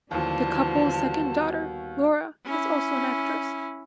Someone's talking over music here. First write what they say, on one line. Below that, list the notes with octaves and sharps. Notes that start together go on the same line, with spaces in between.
The couple's second daughter, Laura, is also an actress.
D#2 D3 E3 F3 G3 B3 F#4 A5
C#4 E4